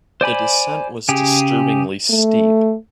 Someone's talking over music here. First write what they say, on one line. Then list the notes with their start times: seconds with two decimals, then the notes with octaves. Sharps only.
The descent was disturbingly steep.
0.21 C5 D5 G#5 B5
1.09 C#3 G4 G#4
2.10 A3